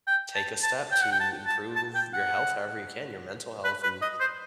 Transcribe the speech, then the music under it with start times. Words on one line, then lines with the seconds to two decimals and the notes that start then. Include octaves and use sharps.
take a step to improve your health however you can, your mental health, and
0.07 G5
0.35 A5
0.63 A5
0.92 G5
1.03 F#5
1.12 G5
1.20 A5
1.47 A5
1.76 A5
1.95 G5
2.14 F#5
3.64 B4
3.83 B4
4.02 D#5
4.20 C5